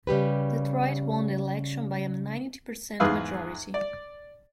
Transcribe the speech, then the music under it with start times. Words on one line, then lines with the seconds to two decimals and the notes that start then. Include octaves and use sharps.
Detroit won the election by a ninety percent majority.
0.07 C#3 G3 G4 B4
3.00 E2 G#2 G#4 B4 F5 E6
3.74 D5